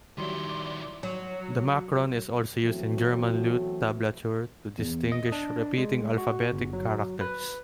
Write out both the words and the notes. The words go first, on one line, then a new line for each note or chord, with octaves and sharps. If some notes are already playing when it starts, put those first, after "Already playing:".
The macron is also used in German lute tablature to distinguish repeating alphabetic characters.
D#3 F#3 G3 E4 D5 C6
F#3
E3 F#3 A3 B3 C4 F#4
E2
D#5
D4
G#3
F#4
G1
F#3
B4